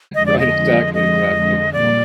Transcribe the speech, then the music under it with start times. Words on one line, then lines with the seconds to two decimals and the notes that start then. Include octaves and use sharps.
Right, exactly, exactly.
0.15 F2 D3 F3 G#3 D#5
0.26 D5
0.39 D#5
0.94 D#5
1.73 A#2 G3 A#3 D5